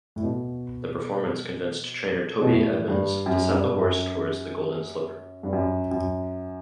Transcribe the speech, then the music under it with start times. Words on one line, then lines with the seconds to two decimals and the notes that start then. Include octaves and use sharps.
The performance convinced trainer Toby Edmonds to set the horse towards the Golden Slipper.
0.16 A2
0.23 B2
2.41 B2
2.50 A2
2.88 G2
3.26 F#2
3.51 G2
3.77 F#2
5.43 G2
5.53 F#2
5.91 F#2